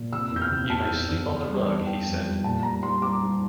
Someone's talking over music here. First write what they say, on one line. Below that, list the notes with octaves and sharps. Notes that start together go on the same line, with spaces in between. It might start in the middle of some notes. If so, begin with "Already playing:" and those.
"You may sleep on the rug," he said.
Already playing: A#2
C3 E6
E2 G6
F6
C3
E2 A5
E2
E2
E3
G3
E3
E3 G5
F2
G3
A#2 A5
G3 A#5
G3 C6
G3 D6
G3